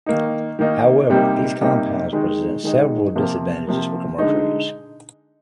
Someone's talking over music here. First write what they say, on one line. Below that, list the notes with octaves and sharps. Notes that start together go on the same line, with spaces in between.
However, these compounds present several disadvantages for commercial use.
D#3 A#3 D#4
D#3 A#3 D#4
C3 G3 A#3 D#4
C3 G3 A#3 D#4
D#3 G#3 D#4
D#3 G#3 D#4
C3 F3 A#3
C3 F3 A#3
D3 G#3 D#4